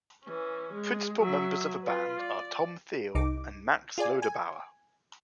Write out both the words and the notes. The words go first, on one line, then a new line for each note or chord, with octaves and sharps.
Principal members of the band are Tom Thiel and Max Loderbauer.
E3 C#4
G#3
F#3 E5
F4 B4
D5
C2 D#4 D6
F4 G#4 D5 G#5
G#5